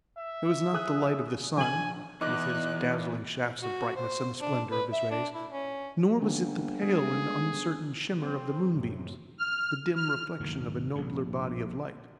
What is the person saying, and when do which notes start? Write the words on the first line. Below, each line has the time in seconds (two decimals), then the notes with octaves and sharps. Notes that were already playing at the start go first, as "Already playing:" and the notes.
It was not the light of the sun, with his dazzling shafts of brightness and the splendour of his rays; nor was it the pale and uncertain shimmer of the moonbeams, the dim reflection of a nobler body of light.
0.17 E5
0.73 G#4 D#6 F#6
1.57 A#1 G#5 F#7
2.21 E2 E3 D#4 D6 F#6
3.62 F#4
3.96 C5
4.41 D4
4.72 B4
4.92 E5
5.11 D4
5.34 E4
5.51 C#4
6.21 G1 D3 A#3 C#4
6.83 G#3 G#4
8.20 C4
8.73 G#1 F#2 A2 C3
9.38 F6
9.96 F6
10.40 F#1 D#2 G#2 D3
10.95 A#1 G2